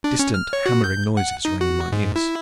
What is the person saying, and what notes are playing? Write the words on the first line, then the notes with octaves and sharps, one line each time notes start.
Distant hammering noises rang in my ears.
D4
C#4
F6
C#5
F#4
G6
F#5
D#4
F#4
G#2
E4